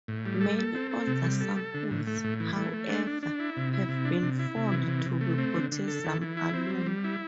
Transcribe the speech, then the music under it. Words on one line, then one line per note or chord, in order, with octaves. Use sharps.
Many older samples, however, have been found to be potassium alum.
A2
G3
A4
A4
C4
A4
C3
G3
A4
A4
D3
A2
A3
A2
E3
A3
A3
D4
D4
D4
E4
C3
E4
C3
D4
C3
E4
C3
E3
C3
C3
A3
C4
D3
D3
A4
E3
E3
E4
C4
G3
G3
E4